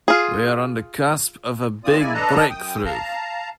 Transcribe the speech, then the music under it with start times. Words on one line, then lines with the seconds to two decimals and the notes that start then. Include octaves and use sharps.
We are on the cusp of a big breakthrough.
0.08 F4 G#4
1.84 D#2 E3 C4 F4 D5 D#6
1.99 G#3 A#3 E4 D5 G#5
2.14 D4 A4 B4 D#5 A5 A#5
2.50 F#2 G5 D#6
2.85 F5 A5 A#5